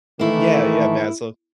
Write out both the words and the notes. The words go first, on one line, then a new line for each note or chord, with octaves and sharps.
Yeah, yeah, Maslow.
D#3 E3 A3 A#3 E4